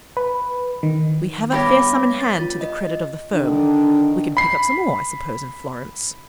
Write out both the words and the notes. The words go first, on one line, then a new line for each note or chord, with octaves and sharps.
We have a fair sum in hand to the credit of the firm; we can pick up some more, I suppose, in Florence.'
B4
D#3
G2 B3 G4 C#5 D6 A#6
A6
F4
D#5
D3 D#3 D4
B5 C7